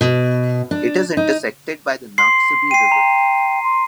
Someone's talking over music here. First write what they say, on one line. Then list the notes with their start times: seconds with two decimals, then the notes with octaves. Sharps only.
It is intersected by the Noxubee River.
0.01 B2
0.71 D4
1.17 D#4
2.18 C6 C7
2.71 G5 C7 D#7
2.92 A#5
3.64 C6